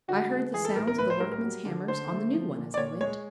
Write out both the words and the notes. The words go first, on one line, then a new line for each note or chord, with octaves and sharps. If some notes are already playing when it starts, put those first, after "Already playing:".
I heard the sounds of the workmen's hammers on the new one as I went.
D3 F#4
G#3
E3 G#4
A4
A2 A#4
A#4
A2 B4
C5
G3 A#4
A#4
F#3
D3
D3 C5
A3
F3
A#2
D5
A#2 C#5
G#3 C#5